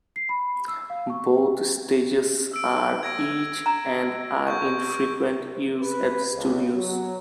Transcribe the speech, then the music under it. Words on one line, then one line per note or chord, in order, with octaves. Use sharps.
Both stages are each and are in frequent use at the studios.
C7
B5
E6
F5
C#6
E6 D7
G#6 A#6 D7
A#5
C#6 G6
B4
C#2
F#3